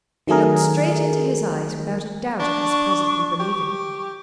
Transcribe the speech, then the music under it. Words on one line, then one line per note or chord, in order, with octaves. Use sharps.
She looked straight into his eyes without a doubt of his presently believing her.
D#3 F#3 A3 G#4 A#4
D4 C#6
G4